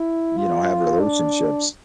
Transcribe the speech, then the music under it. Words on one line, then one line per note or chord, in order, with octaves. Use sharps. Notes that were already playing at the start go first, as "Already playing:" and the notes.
you know, have relationships.
Already playing: E4
F4
D4